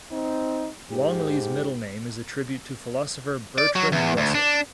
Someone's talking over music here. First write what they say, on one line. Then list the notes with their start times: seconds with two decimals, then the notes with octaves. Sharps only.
Longley's middle name is a tribute to philosopher Bertrand Russell.
0.11 C4 D#4
0.91 G#2 G4
3.58 D5
3.75 F#3
3.92 E2
4.17 D2
4.35 D4